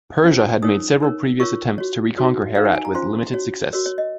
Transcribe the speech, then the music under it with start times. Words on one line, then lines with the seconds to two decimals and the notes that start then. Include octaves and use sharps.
Persia had made several previous attempts to reconquer Herat with limited success.
0.24 C#4 F4 C5
0.62 D#4 A#4 C#5 D#6
1.00 D#4 A#4 C#5
1.40 F4 A#4 C#5 C#6
1.78 F#4 C#5
2.18 D#4 F#4 C#5
2.55 D#4 A#4 C#5 F5
2.65 F#5
2.75 G#5
2.85 A#5
2.94 C#4 F4 C5 C6
3.33 F#4 C#5
3.73 F#4 A#4 C#5
3.86 C#5
3.98 D#5